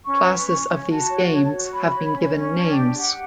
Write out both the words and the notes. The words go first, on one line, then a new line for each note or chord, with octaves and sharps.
Classes of these games have been given names.
C#4 C#6
B4
C#4
C#4
F#4 A5
C#5
C#5
F#4
C#5 B5
C#5
C#4
C#4
D4 A5
G5
G4
G4 F#5